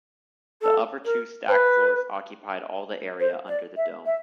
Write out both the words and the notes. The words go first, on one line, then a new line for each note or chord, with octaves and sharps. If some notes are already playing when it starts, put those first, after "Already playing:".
The upper two stack floors occupied all the area under the dome.
A4
A#4
C5
B4
C5
D5
E5
E5